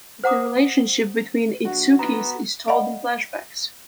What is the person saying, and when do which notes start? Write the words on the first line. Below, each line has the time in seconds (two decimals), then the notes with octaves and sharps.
The relationship between the Itsuki-s is told in flashbacks.
0.24 C5 F#5 A#5 D6 D#6
1.65 A#1 F#4
1.99 B3 A#5
2.68 D5 D#5 F5 F#5 B5